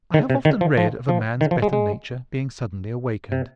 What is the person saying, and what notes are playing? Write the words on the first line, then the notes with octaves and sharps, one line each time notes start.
I have often read of a man's better nature being suddenly awakened.
D#3
C3
D#3
F3
F3
F3
D#3
F3
G#3
G#3
C3